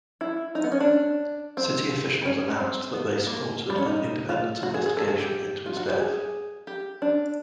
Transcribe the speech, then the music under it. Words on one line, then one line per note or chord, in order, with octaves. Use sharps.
City officials announced that they supported an independent investigation into his death.
E4
D#4
B3
C#4
D4
C4
C#4
C4
B3
A#3
G3
C#4
D#4
F4
F#4
G#4
G#4
A4
G#4
G4
F4
F#4
G4
G#4
G4
D4